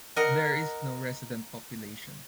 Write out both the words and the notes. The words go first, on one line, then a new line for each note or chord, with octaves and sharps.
There is no resident population.
A#4 D#5 F#5